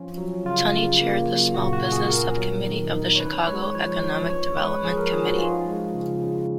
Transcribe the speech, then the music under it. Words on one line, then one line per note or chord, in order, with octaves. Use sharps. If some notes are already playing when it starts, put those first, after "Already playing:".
Tunney chaired the small business subcommittee of the Chicago Economic Development Committee.
Already playing: F3 C#4 F4
F#3
C#3 F4
C#3
A#3
F#3
A#2 F#4
F#4
A#2
G#4
B3 A#4
F#3
D#3
D#4
C#5
C#4 B4
G#3 C#5
F3 C#5
F3
C#4 C#5
G#3 B4
F3 G#4
A#4
F3 G#4
F#4
D#4 F4
G#3
C#3
C#3